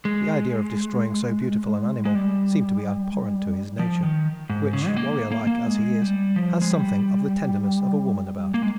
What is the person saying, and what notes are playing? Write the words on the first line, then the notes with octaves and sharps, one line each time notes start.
The idea of destroying so beautiful an animal seemed to be abhorrent to his nature, which, warrior-like as he is, has something of the tenderness of a woman about it.
G#3
G#3
G3
F3
D#3
G#2
C#3
G#3
A#3
A#3
A#3
G#3
G3
F3
G#3
G3
A#3
G#3